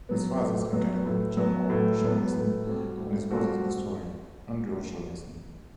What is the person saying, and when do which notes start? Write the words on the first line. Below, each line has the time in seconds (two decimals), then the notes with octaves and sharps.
His father is academic John O'Shaughnessy and his brother is historian Andrew O'Shaughnessy.
0.09 F#3 B3
0.41 A2
0.73 F#3 B3
1.05 A2
1.37 F#3 B3
1.70 A2
2.01 F#3 B3
2.34 A2
2.67 G3 C4 F#4 A4
2.98 A2
3.30 G3 C4 F#4 A4